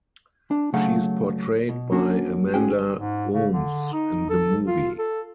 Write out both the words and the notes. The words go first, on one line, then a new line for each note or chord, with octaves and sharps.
She is portrayed by Amanda Ooms in the movie.
D4
C#3 F#3 A3 F5 F#5 A#5
B2
A#3 C#4 D4 F#4
C#4 F#4 G#4 G5
G#2
C#3
D3
D#4
A4
F4
A4